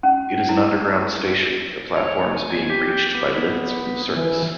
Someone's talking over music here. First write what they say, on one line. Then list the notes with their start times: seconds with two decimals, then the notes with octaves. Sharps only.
It is an underground station, the platforms being reached by lifts from the surface.
0.03 C#4
0.49 E4
1.97 C#5
2.37 G#5
2.70 G4
3.14 B3
4.16 E3